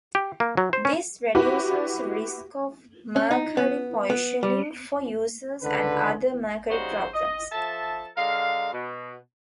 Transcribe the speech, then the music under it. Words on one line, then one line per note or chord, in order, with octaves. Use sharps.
This reduces risk of mercury poisoning for users and other mercury problems.
G4
A#3
F#3
C5
C#4
E4 F#4 G4 B4
C#4
D#4
B3
B3
G3
C#2 D3 B4
C#3 G3 D#4 F#4 C5 C#5
D#5
F3 A4 E5 A5
D3 G#3 A#4 F5
B2